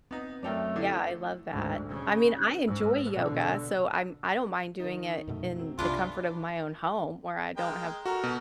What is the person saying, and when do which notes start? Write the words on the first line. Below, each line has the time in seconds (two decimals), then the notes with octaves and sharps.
Yeah, I love that. I mean, I enjoy yoga, so I'm, I don't mind doing it in the comfort of my own home where I don't have
0.11 B3 C4 D#4
0.43 F#2 A3 D4 A4 A#4 C#5 G5
0.76 D3 E4 A4
1.50 D2 G#2
1.89 C#3
2.67 G#2
3.14 B2 D3
4.80 D#3 D#4
5.28 F#2 B2 A3
5.56 F#3 C4
5.79 G1 C2 G2 E3 D4 F4
7.57 G#3 A#4 G5
8.06 F#4 A4 A#4
8.24 B2